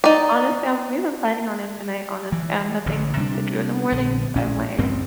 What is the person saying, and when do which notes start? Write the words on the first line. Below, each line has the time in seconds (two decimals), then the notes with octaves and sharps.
honestly, I'm really planning on it tonight, honestly, I have nothing to do in the morning, so I might
0.04 D#4 D5
2.32 E3
2.86 A1 D3
3.17 C3 G3 A#3 D4
3.92 A#1 D3
4.36 A#1 A2 C#4
4.78 A1 D2 G2 C4